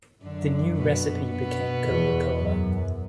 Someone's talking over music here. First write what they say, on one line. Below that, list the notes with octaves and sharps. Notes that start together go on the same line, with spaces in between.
The new recipe became Coca-Cola.
F#2 D3 D4
B2 B3
B2 B3
E2
F#2